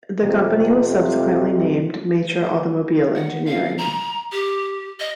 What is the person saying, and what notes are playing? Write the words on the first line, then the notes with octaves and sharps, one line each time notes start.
The company was subsequently named Matra Automobile Engineering.
F2 C3
F#5
F5
A#5
G4
D#5